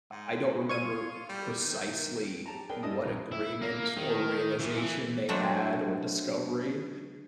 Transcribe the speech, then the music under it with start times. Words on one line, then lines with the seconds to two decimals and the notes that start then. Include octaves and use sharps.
I don't remember precisely what agreement or realization they had or discovery,
0.11 G#2
0.69 F4 C#6 G#6 D#7
1.29 G3
1.60 D#3
2.46 G4 A5 A#5
2.69 G#4 A#4 B4 D5 G5 G#5
2.83 G2 G3 E4 D#5 A5 D#6
3.04 A#1 F2 F4 B4 A#5
3.32 E4
3.62 A#3
3.97 D#3
4.59 A#2 E3
4.77 E3
5.29 F#3 G#3 A3 C4 D4